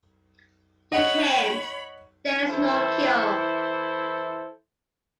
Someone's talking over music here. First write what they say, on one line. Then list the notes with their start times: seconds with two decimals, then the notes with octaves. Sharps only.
You can't; there is no cure.
0.92 C#5 D#5 F#5 B5
2.48 E3 E4 A4 C5